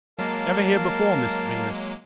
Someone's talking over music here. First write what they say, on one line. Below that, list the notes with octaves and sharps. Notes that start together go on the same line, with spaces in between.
Ever here before, Mr Venus?'
F#3 G#3 A#3 A#4 F5 A5